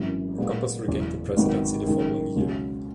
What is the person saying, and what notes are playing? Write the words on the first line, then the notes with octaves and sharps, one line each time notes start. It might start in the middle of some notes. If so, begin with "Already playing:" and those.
Gompers regained the presidency the following year.
Already playing: G#1 F#2 E3
A#2 G#3 B3
F#1 E2 B2
G#1 G#2 D#3 F#3 B3
F#1 F#2 D#3 G#3
C#2 B2 F#3